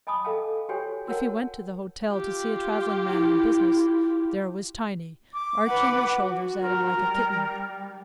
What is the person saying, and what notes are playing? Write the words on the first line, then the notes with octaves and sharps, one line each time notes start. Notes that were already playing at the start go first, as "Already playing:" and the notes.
If he went to the hotel to see a traveling man on business, there was Tiny, arching her shoulders at him like a kitten.
D#5 G#5 A5 B5 D6 D#6
A4 D#5 F5 G5 A5
F#4 G4 C5 C#5 G5 G#5
F#4 A#4 C#5 F#5 G5 A5
F4 G4
E4
D6
B4 F#5
F#4
A#4
G3